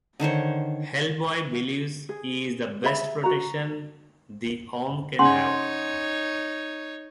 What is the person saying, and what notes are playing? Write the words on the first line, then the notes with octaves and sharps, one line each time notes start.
Hellboy believes he is the best protection the arm can have.
D3 D#3 C5 C#5
G#4
G#4 E5 B5
F#4 A#5
C#3 D#4 C#5 F#5 C6